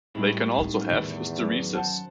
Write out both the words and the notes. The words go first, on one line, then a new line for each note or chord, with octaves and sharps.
They can also have hysteresis.
A2 G3 G#3 C4
D#4
E2 D#3
F#2
C5 F#5 A5